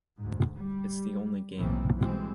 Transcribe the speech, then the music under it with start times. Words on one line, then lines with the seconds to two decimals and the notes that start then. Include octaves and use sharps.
It's the only game.
0.18 D2 G#2
0.56 G3
1.59 B1 A2 D#3 E3 A#3 C4
1.98 B2 E3 G3 G#3 C4